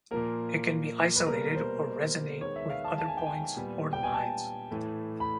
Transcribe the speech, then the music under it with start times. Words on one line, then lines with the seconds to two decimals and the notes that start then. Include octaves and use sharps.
It can be isolated or resonate with other points or lines.
0.11 A#2 F3 A#3 A#4
1.16 B4
1.26 B2 G3 A#3 A#4
1.55 C5
2.41 D#3 G#3 B3 C#5
2.56 E5
2.69 F5
2.84 A5
2.98 A5
3.08 G#5
3.17 G5
3.26 G#5
3.56 A#2 G3 B3
3.93 G5
4.03 G#5
4.14 A5
4.71 A2 E3 A3
5.20 B5